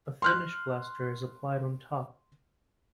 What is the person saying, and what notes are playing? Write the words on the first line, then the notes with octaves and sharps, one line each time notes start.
A finish plaster is applied on top.
C6 F6 F#6